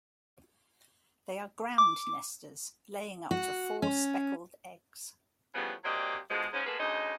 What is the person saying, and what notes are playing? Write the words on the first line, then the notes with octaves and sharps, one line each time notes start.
They are ground nesters, laying up to four speckled eggs.
D6
F#4
C#4
A2 C#3 E3 F3 G3 B3
A#2 F#3 C4 D4 G4 D#5
B2 D3 F3 G#3
G#2 C#4
G#3 A#3 B3 G#4 A4 B4
D2 C#3 D#4 C5 D#5